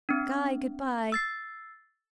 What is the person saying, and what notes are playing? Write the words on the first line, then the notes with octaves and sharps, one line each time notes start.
Guy, goodbye.
C4 D4
E6 A6 C7